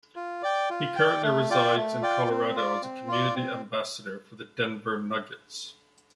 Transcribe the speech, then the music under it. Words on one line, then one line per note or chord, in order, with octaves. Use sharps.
He currently resides in Colorado as a community ambassador for the Denver Nuggets.
F4
D5 G5
F4
D5 G5
A3
F4 D5 G5
A3
F4 D5 G5
C4
F4 D5
C4
F4 D5
C4